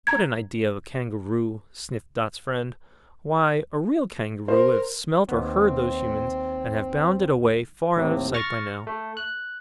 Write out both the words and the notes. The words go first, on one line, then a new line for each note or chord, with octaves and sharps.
"What an idea of a kangaroo!" sniffed Dot's friend, "why, a real kangaroo would have smelt or heard those Humans, and have bounded away far out of sight by now."
A#5 G#6
A#4 C5
D#2 B3 C4
D#2 A2 C3
C#6 F6 A6 A#6
A3
F#6